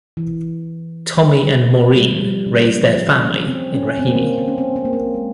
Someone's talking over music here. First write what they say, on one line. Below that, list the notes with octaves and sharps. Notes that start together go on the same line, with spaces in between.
Tommy and Maureen raised their family in Raheny.
E3
G3
F3
G3
C#3
F3
C#4
C4
C#4
C4
A#3
C4
C4
C#4
C4
C4
A#3
C4
G#3